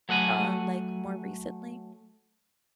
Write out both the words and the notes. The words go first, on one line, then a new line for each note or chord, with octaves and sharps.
r um, like, more recently?
F#3 A3 F#5 G#5